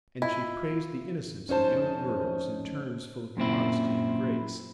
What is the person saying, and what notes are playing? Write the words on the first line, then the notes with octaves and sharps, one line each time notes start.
And she praised the innocence of young girls in terms full of modesty and grace.
E4 F4 D#5 E5
F2 C#4 D#4 C5 A5
F#2 A#2 C4 E4